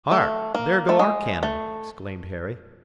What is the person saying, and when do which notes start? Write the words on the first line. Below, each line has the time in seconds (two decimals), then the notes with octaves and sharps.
"Hark! there go our cannon!" exclaimed Harry.
0.11 A3
0.55 A#3
0.89 A3
0.99 G#3
1.43 A3